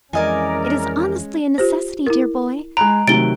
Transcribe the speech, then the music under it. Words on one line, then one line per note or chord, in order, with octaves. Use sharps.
It is honestly a necessity, dear boy.
F2 E3 G#3 C#4 A#4 D5 D#5 G#5
F4 G4 C5
E4 A#4
G#3 A#5 B5 F#6 D7
C3 D#3 F#3 A3 A6 D7 G7